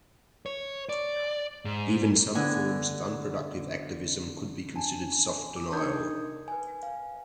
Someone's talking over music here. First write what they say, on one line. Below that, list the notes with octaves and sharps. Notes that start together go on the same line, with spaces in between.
Even some forms of unproductive activism could be considered soft denial.
C#5
D5
G#2
D3 B3 G#5
D4 G#5 A5
D6
D4 D#4 A#4 D#6 G6 G#6
B4 G#5
F5